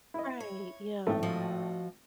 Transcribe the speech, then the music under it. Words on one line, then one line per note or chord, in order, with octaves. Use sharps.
Right, yeah.
E4 D#5
C#5
G#1 A2 A3
F3 F#4 D#5